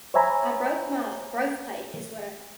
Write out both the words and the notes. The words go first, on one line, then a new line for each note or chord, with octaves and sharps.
I broke my growth plate, is what I
C5 C#5 E5 G#5 A#5 B5